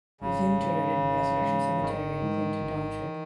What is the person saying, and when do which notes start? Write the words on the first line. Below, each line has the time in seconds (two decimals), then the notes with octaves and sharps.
He was interred in Resurrection Cemetery in Clinton Township.
0.21 G#1 C#3
0.61 G#2 E3
1.01 G#1
1.41 G#2 E3
1.81 G#1 D#3
2.22 G#2 E3
2.61 G#1
3.03 E3